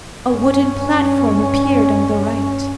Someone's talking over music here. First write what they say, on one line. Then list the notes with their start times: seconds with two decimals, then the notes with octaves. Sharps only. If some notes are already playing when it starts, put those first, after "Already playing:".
A wooden platform appeared on the right.
0.24 G2 C#4